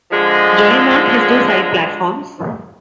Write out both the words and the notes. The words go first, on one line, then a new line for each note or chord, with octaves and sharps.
Jolimont has two side platforms.
D3 F3 G#3